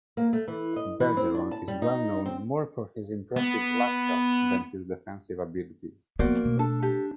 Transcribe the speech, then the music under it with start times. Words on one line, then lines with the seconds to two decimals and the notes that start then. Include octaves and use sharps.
Bergeron is well known more for his impressive slapshot than his defensive abilities.
0.17 A#3
0.33 A3
0.48 E3
0.76 D#5
1.00 E3
1.17 C4
1.34 D4
1.51 A5
1.68 G3
1.82 D#4
2.26 C4
3.36 B3
6.19 F3 A#3 B3 F#4 A#4 C5 D5
6.44 B2 A3
6.59 D4 A4
6.82 G4 A4